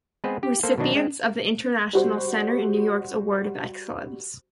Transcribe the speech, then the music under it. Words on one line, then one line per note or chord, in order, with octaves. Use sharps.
Recipient of The International Center in New York's Award of Excellence.
G#3 B3 C4 G#4 B4 C5
G4
A#3 A4 C5
B2 D#3 F#3 D4 D#4
G#3 C4
G3 F#4 C5